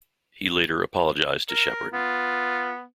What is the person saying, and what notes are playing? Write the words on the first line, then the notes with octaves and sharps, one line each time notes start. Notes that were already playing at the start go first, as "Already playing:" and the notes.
He later apologised to Sheppard.
A#4
B3 F4